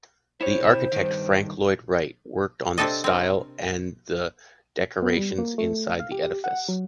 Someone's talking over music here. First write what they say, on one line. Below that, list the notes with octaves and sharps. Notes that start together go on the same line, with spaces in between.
The architect Franck Lloyd Wright worked on the style and the decorations inside the edifice.
E4 C5 C#5
C3 E4
G2 D#3
C3 C4 D4 A4 D#5
C4 A#4
B3
G3
A#3
A3
F5
G4
F#5
F#3